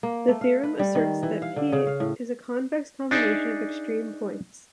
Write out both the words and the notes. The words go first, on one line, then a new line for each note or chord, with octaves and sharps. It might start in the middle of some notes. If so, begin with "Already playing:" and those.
The theorem asserts that "p" is a convex combination of extreme points.
A#3
A3
F5
B4
G3
D#3
E3
F5
D3
C#3
F5
A2
D4 D#4 G#4 D5 E5